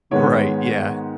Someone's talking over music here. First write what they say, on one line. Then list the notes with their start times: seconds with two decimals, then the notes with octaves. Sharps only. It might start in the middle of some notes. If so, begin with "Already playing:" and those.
Right, yeah,
0.11 G#2 D#3 G#3 B3 C#5